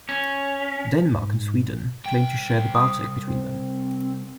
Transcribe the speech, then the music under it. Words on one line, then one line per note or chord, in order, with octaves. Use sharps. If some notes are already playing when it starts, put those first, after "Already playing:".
Denmark and Sweden claimed to share the Baltic between them.
C#4
G#2
C2 G5
D#6
C4